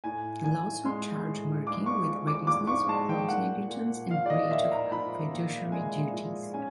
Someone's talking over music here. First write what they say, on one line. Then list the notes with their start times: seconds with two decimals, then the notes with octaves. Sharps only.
The lawsuit charged Merkin with recklessness, gross negligence and breach of fiduciary duties.
0.04 A2 G#5
0.44 A2 G#5
0.85 G#3 C6
1.26 A2
1.67 G#3 D6
1.86 C#6
2.07 F3
2.27 D6
2.47 F3 D6
2.67 C#6
2.88 G#3 A5
3.09 G5
3.28 A#2 F#5
3.70 A#2
4.10 F3 F5
4.26 D5
4.30 D#5
4.51 A#2 E5
4.72 A#5
4.92 F3 B5
5.31 A#2
5.72 G#3 G#5
6.13 F3
6.54 C#4 G#5